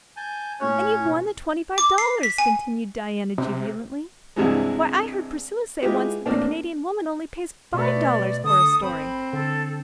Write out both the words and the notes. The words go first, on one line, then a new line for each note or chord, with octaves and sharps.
"And you've won the twenty-five dollars," continued Diana jubilantly. "Why, I heard Priscilla say once that the Canadian Woman only pays five dollars for a story!"
G#5 A5 G6
A2 A3 C#4 C#5 F#6
E1 E2
D6
C7
B6
G#5
C3
C2 G2 C3 E3 G#3
G#3 E4 F4 G4 B4
E2 A2 A#3 C4 D4
B2 A3 B3 D5
D3 A4 D#6
G#1 C4 B5
D3 A4